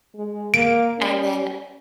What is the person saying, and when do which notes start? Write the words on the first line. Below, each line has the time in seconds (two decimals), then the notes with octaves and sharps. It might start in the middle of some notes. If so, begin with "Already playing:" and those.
and then,
0.15 G#3
0.54 A#3 D7
0.98 C#4